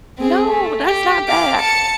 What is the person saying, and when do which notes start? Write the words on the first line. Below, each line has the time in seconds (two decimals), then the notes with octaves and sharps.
No, that's not ba
0.18 C4 G#4
0.48 A3
0.86 G4
1.28 F5 D6
1.59 A5 C#7